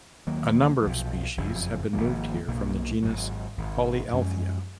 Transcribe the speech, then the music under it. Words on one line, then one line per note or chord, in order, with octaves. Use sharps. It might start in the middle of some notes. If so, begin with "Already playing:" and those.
A number of species have been moved here from the genus "Polyalthia".
D#2 D#3 F#3 A#3
B1 A#2 F3
F#1 F2 C#3 F3
G#1 F#2 F3 A#3
B1 B2 A#3
G#1 G#2 F#3
G#1 G#2 D#3
F#2 F3 G#3 C#4